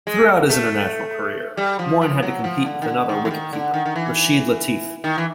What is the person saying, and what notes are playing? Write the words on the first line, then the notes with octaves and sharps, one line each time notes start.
Throughout his international career, Moin had to compete with another wicket-keeper, Rashid Latif.
G#3
A3
G3
F3
F3
F#3
F3
D3
D#3
D3
D#3
E3
D#3
D3
D#3
D#3
E3
D#3
E3